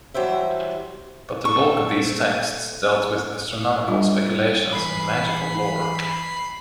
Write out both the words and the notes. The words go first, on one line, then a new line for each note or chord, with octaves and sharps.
But the bulk of these texts dealt with astronomical speculations and magical lore.
E3 F#3 G3 C5 E5
A#2 C4 A4 C#6
G3 D4 F4
E3 B5 C7